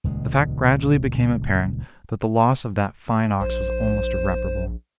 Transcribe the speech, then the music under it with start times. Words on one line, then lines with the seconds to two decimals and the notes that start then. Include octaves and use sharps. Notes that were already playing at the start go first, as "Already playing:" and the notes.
The fact gradually became apparent that the loss of that fine ox was almost irreparable.
0.04 D#1 C#2 G#3
3.40 A#1 C5